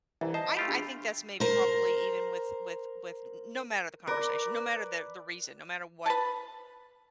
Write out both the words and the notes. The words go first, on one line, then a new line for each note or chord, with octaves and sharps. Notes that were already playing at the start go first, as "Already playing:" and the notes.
I I think that's maybe probably even with with with n n no matter the conversation, no matter the the reason, no matter what
C2 E3 E5 A#5
C5 D#5 A5
A3 F4 G4 B5 C6
D4 G#4 B5
A#4 C5
A#4 B4 D5
B4 A5